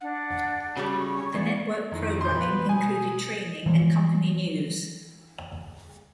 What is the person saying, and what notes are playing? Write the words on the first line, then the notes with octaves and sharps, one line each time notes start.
The network programming included training and company news.
D4 F#5
C#3 G3 F#4
C#6
C#4 C#6
E2 D5
F2 D#3 E4
A#2 C6 G6
B3 B4
E3
B2 G#5 D#6
E3 G#3